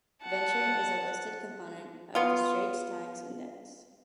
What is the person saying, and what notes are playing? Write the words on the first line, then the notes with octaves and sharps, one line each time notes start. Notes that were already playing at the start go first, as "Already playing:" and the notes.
Venture is a listed component of the Straits Times Index.
F#5 A5
B3 F4